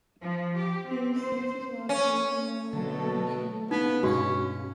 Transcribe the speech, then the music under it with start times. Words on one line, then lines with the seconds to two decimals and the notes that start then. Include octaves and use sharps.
He received his law degree from Loyola University New Orleans.
0.22 F3
0.58 G4
0.88 C4
1.18 C5
1.89 C#4
2.73 B2 D3 F#3 A3 A4
3.71 C#3 B3 D#4
4.03 G2 B2 G#3 C#4 F#4